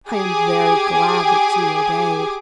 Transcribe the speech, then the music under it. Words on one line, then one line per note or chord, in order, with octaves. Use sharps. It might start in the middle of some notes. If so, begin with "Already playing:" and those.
I am very glad that you obeyed.
G4 G#4 G#5 D6